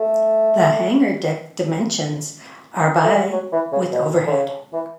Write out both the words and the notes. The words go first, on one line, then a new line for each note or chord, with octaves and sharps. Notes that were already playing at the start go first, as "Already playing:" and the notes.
The hangar deck dimensions are by - with overhead.
Already playing: A3
A3
G3
F#3
E3
C#3
B2
D3
C#3
E3